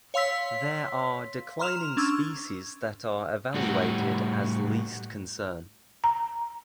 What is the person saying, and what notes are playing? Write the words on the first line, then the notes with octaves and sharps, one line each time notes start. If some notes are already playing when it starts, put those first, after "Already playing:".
There are declining species that are evaluated as Least Concern.
C#5 F5 C6 E6 B6
A#5 C6 F6 E7 F7
C#4 D4 C#6 E6 G#6
A2 G3 F#4
A#5